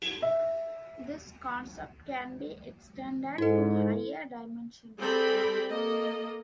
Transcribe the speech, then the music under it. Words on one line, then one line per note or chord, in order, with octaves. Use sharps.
This concept can be extended to higher dimensions.
E5
G#2 E4 A4
G3 C4 G#4 A4 G5 B5
A#3 A4 D#5